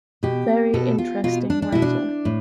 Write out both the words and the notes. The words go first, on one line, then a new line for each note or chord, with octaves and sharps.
Very interesting writer.
B2 G4
B2 A4
F4
B2 F4
D4
D4
B2 E4
D4
A2